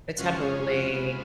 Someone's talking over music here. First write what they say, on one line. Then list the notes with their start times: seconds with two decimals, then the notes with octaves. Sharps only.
the tabbouleh,
0.17 F2 C#3 G#3 C#4 F4 F#4
0.42 G#4
0.63 G#4
0.67 F#4
0.92 C#3 G#3 B3 F4